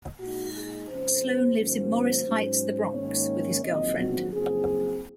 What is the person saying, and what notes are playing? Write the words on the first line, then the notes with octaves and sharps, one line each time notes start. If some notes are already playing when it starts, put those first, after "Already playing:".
Sloan lives in Morris Heights, the Bronx with his girlfriend.
A#2 G#3 D#4 F#4
G#4
F2 C#3 G#3 C#4 C5
G#2 D#3 F#3 A#3 C#4 C5
G#2 F#3 C#4
G#2 D#3 A#3 C#4 C#5
A#1 G#2 D#3 F#3 C4 D#5
F#4
F#1 F#2 F3 C4 G#4